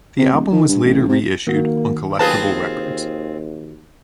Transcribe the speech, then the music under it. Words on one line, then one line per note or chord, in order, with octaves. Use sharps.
The album was later reissued on Collectables Records.
C3
D#1
D#3
G2
A1
C3
D#3 A#3 F#4
D#2 C4 F4 G#4 B4 A5